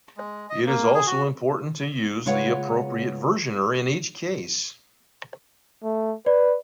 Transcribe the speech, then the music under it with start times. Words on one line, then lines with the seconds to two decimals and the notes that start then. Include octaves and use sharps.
It is also important to use the appropriate versioner in each case.
0.17 G#3
0.49 D#5
0.66 A#3
0.94 G#4
1.07 F#4
2.26 C#3 G#3 F4 B4 C#5 F#5
5.84 A3
6.26 B4 D5